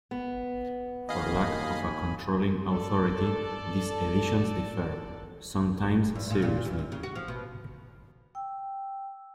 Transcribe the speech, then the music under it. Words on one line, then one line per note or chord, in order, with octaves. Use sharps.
For lack of a controlling authority, these editions differ, sometimes seriously.
B3
D#2 D#5 F5 G#5 B5
A4 D5 A5
E2
A#2
A#2
E2
F#2
C#3
F#4
F3
B2
G5 E6